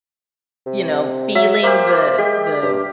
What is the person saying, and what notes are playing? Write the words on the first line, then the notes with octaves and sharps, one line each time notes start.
you know, feeling the the
C3
F#3 E5
A#3 G4 C5
G#3 G4
G2